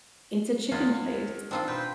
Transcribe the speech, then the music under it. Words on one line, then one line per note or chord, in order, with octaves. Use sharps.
It's a chicken place.
E2 F4
C4 D4 D#4 F4 E6
B2 B4 C5 G5